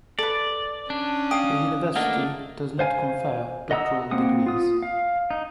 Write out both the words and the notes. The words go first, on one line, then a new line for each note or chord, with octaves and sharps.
The university does not confer doctoral degrees.
A4 B4 D5
C#4 D4
F5 G5 D#6
A3 A#3 D4 D#5 F#5
C5 F5 G#5
D#5 F#5 A#5 D#6 E6
A#3 C4 F#5 D#6
F4 D#6
F5
D#4